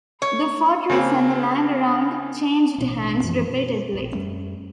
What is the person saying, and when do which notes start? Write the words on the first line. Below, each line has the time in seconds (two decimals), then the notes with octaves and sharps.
The fortress and the land around changed hands repeatedly.
0.22 C#5
0.90 C#3 A#3 C4
2.78 A1 B2 C4 D4
3.23 F#2 E3 F3
3.49 B2
3.93 E1 A#1
4.12 F#2 G3 A3 C#4